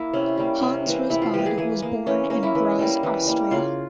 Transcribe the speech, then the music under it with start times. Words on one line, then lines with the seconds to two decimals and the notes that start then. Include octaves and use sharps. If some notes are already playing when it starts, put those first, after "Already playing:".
Hans Rosbaud was born in Graz, Austria.
Already playing: A#3 E4
0.13 C3 C#4
0.38 G3 A#3
0.62 C3
0.86 E3 A#3
1.10 C3 E4
1.22 F4
1.34 E3 A#3 G4
1.46 G#4
1.58 E3 G#4
1.82 A#3
2.06 E3 C#4
2.30 A#3 C#4
2.43 E4
2.55 E3
2.79 G3 A#3
3.03 E3
3.27 G3 A#3
3.51 C#3 F4